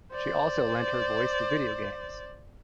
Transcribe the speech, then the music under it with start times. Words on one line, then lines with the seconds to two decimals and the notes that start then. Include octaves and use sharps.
She has also lent her voice to video games.
0.12 C5 D5